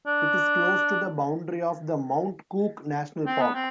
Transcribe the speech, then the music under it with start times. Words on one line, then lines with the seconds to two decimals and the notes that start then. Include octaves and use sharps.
It is close to the boundary of the Mount Cook National Park.
0.07 D4
3.26 C4
3.41 B3
3.54 C4